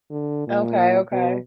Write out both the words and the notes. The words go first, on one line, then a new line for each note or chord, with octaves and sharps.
Okay, okay.
D3
A#2
B2